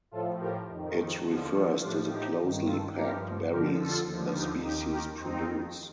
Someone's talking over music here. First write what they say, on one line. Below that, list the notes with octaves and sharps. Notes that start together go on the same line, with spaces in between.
It refers to the closely packed berries the species produce.
A2 F3 F4 A4
G4 A#4
F2 D#3
D#2 D3 F3
A2 F3 D4 F4
D#4 G4
G2 D#3
F4 A4
G2 F3 G4 A#4
F2 D3 F3 G4 A#4
F4 A4
D#2 D3 F3
D#4 G4
D#2 D#3 D#4 G4
G4 A#4
F2 D#3 C4 D#4